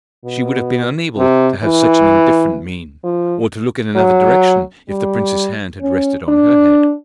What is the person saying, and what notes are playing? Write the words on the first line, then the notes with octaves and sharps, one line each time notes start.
She would have been unable to have such an indifferent mien, or to look in another direction if the prince's hand had rested on her head.
B2
C3
E3
F3
F#3
G3
C#4
D4